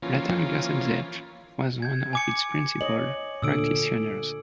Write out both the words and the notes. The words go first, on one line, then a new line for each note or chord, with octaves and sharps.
Platon Kerzhentsev was one of its principal practitioners.
E3 F3 A#3 C#4 F4
G6 G#6
G#5 D6 C#7
C#5 D#5 F#7
A#2 D3 D#6 E6 D7